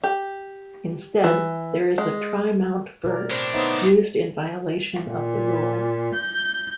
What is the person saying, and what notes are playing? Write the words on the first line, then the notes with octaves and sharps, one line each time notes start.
Instead, there is a trimount vert used in violation of the rule.
G4
E3
G#3
B2 A#4 D5
A2 C4 D4
B3 D#4 C5 C#5 E5
A#2
G6